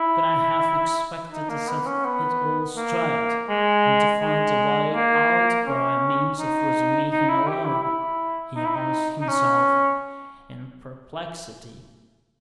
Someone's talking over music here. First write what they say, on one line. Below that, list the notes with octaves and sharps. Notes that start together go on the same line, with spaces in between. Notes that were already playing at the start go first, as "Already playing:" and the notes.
"Could I have expected to set it all straight and to find a way out by means of Razumihin alone?" he asked himself in perplexity.
Already playing: E4
D#4
A#3
B3
C#4
B3
A#3
G#3
G#3
A#3
C#4
D#4
D#4
E4
G4
E4
E4
D#4
E4
D#4
D#4
C#4